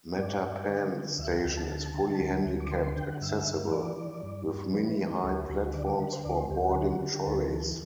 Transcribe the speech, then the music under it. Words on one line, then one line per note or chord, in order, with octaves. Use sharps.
Mattapan station is fully handicapped accessible, with mini-high platforms for boarding trolleys.
G2 D5
G2
D3
D3
D2 E5
F#5
D2 G5
A5
D3
D3
D2
D2
D6
D3 C6
C6
D3 G5
F#5
G2 E5
G2
E3 D5
E3
G2
G2
E3 B4
E3
D2 A4
G4
D2 F#4
F#4
D3 D5
D5
D3 B4
C5
D2 D5
C5
D2 G4
F#4
D3 F#4
F#4
D3
G4
D2 A4
E3